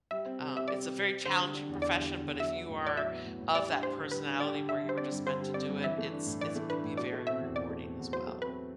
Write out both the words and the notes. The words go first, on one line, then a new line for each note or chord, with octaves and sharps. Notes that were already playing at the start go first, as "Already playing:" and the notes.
Um, it's a very challenging profession, but if you are of that personality where you were just meant to do it it's, it can be very rewarding as well.
G3 E5
C4
C3
C3 E5
G3 D5
C4
C3
C3
D3 C5
G3
D4
E2
D3 D5
G3
D4
E2
F#3 E5
B3
A2
A2 D5
F#3 E5
B3
A2
A2
G3 D5
D4
G4 C5
D3
G3 B4
D4
G4 D5
D3
D3 E5
G3
C5
C4 D5
G2
D3 C5
G3
C4 D5
G2
E3 E5
A3
D4
A2
E3 D5
A3
D4 B4
A2
B2 D5
A3
C4 E5
E2
B2 D5
A3
C4
E2
F#3 C5
A3
C4 B4